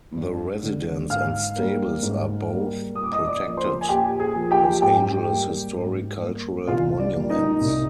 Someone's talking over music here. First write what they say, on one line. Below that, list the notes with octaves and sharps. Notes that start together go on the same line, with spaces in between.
The residence and stables are both protected Los Angeles Historic-Cultural Monuments.
G2
D3 G#3
G#2 F5 F6
G3 A#3
G#2
G3 A#3
A#2 D#6
D6
D#5 D#6
D5 D6
F3 A#3
C5 C6
G#5
A#2 G4 G5
G#4 G#5
F3 A#3
G4 G5
G#2 G4 G5
G3 A#3
G#2
G3 A#3
C2 F4 F5
D5
A#2 G3 A#3
D#4 D#5
C2